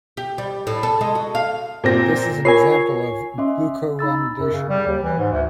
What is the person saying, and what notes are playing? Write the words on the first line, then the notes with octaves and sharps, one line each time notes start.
This is an example of glucuronidation.
G4
G3
A2
A4
G#3
F#4
F5
A#2 C4 A#6
F4 A#4 C#5 G#5 C7
C#4 D#5 E5 C6
D#4 B5 E6 A6
F#2
C#3
G3
D#2
E3
G#2
D2